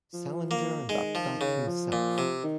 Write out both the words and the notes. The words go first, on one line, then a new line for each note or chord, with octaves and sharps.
Salinger and Updike himself.
F3
A#3
D#3 G#3
F3
C#3
F3
A#2
C3
D#3